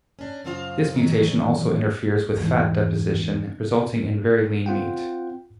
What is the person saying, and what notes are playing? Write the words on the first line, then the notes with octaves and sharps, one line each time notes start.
This mutation also interferes with fat deposition, resulting in very lean meat.
C#4 D4
F#2 C#3 C4 E4 F4 F5
D#3 E3 F#3 G#3 B3
E2 G#2 E3
C4 F4 F#5 G5